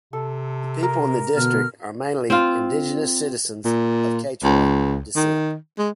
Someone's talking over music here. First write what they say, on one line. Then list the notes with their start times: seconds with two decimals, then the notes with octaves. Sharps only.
The people in the district are mainly indigenous citizens of Quechua descent.
0.13 C3 A4
0.83 A#4
1.36 B2 D3 F6
2.30 C4 F4
3.65 A#2
4.44 C#2
5.16 D#3
5.79 G#3